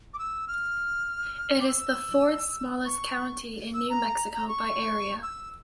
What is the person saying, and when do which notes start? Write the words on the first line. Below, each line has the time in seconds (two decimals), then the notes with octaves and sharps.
It is the fourth-smallest county in New Mexico by area.
0.14 D6
0.19 E6
0.48 F6
1.60 D6
1.67 E6
2.85 C#6
3.74 E6
3.90 A#5
4.34 A#5
4.48 C#6
5.23 E6